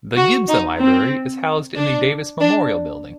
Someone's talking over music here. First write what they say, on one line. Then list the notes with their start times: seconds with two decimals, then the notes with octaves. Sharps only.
The Gibson Library is housed in the Davis Memorial Building.
0.16 F#4
0.48 D#4
0.80 C4
1.76 D4
2.40 D4